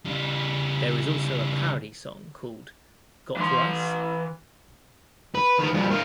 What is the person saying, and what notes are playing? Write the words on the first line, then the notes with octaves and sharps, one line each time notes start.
There is also a parody song called Got Rice?
C#3 G3
E3 C6
B4
D#3 B3
G2 F3
D#3 F4